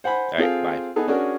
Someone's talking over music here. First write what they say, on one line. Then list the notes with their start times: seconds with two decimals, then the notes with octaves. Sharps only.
Alright, bye.
0.04 C5 F#5 G#5 B5
0.38 C4 F4 G#4 A4 F5
0.96 B3 D#4 G#4 A4
1.08 C#4 D4 F#4 G#4 A#4